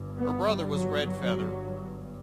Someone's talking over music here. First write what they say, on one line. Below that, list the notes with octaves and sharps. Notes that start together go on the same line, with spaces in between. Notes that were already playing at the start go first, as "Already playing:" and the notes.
Her brother was Red Feather.
Already playing: G1 G2
B3
G3
F#3